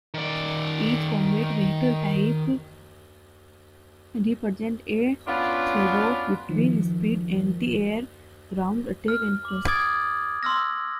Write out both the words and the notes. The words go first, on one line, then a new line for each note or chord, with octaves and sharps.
Each combat vehicle type represents a tradeoff between speed, anti-air, ground-attack, and cost.
D#3 D5
B3 C#4 D4 F4
D#3 F3
F6
D6 F#7
D6 D#6 G#6 A6 D7
C6 E6 F6 A#6